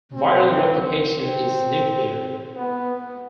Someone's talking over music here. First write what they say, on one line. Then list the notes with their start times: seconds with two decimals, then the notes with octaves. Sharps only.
Viral replication is nuclear.
0.14 C4
1.11 C4
2.55 B3